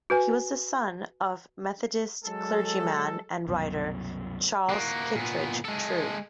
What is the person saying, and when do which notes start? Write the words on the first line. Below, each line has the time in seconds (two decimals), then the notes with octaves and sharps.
He was the son of Methodist clergyman and writer Charles Kittredge True.
0.10 F#4 B4 G#5
2.25 F#3 G#3 A4
3.48 C2 F#2 B2
4.69 A#3 F#4
5.15 A#2 B3
5.65 G#3 A4